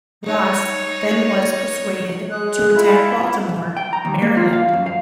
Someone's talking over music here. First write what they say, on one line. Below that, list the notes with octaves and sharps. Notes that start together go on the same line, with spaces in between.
Ross then was persuaded to attack Baltimore, Maryland.
D#4 C#5
G#3 D#6 F#6
E4 F4
G5
A#5
D#2
A#3
F4
F5
F#2
F5